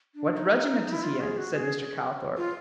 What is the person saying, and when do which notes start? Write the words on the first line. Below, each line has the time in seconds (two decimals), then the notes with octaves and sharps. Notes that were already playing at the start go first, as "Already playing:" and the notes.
"What regiment is he in?" said Mr. Calthorp.
0.15 D4
0.36 D#4
0.93 E4
1.03 F4
1.21 G#4
1.37 F#4
1.54 G#4
2.37 F4